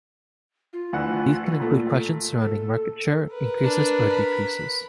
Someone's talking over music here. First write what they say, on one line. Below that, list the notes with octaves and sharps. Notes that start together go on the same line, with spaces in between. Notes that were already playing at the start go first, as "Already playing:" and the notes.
These can include questions surrounding market share increases or decreases.
F4
D2 E3 F#5
A#2 A3
A4
A#4 B4
D4
B5